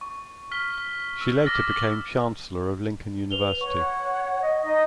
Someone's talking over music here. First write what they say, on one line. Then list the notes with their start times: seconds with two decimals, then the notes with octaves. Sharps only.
She later became Chancellor of Lincoln University.
0.01 C#6
0.51 F6 B6 G7
1.21 E6
1.46 D6 E6 F6 A6 A#6
3.31 B4 F7 G7
3.61 C#5 F#5 C#6
4.42 D#5
4.61 D#4 D#5